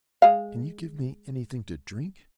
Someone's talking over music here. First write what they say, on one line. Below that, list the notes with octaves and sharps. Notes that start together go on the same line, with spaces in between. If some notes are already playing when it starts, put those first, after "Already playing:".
'Can you give me anything to drink?'
G#3 F5